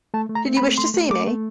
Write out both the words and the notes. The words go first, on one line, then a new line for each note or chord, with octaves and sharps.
Did you wish to see me?
A3 A5
A3
A#5
C4
B5
A3
A3 C6
A3
A3 D6
A3